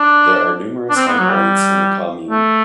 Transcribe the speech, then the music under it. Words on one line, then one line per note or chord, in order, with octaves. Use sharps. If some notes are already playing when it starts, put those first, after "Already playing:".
There are numerous high points in the commune.
Already playing: D4
D4
C4
B3
F#3
G3
A3